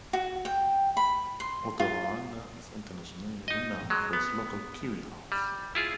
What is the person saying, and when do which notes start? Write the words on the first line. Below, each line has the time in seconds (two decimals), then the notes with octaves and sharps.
Otorohanga is internationally renowned for its local Kiwi House.
0.13 F#4
0.45 G5
0.97 B5
1.40 C6
1.80 F4
3.48 D#4 D#5
3.90 F#3 G#3
4.13 B3
5.32 G3
5.75 E4 F4 G#4